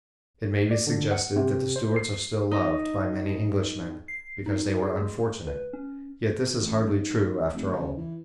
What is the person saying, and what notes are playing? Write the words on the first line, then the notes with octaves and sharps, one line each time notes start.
It may be suggested that the Stuarts are still loved by many Englishmen because they were unfortunate; yet this is hardly true, after all.
D5
D3
F#5
C3
C5
C7
D#4
C7
D#4
G#4
G#3
B4
C#4
A1
G#2
F1
C#3
E3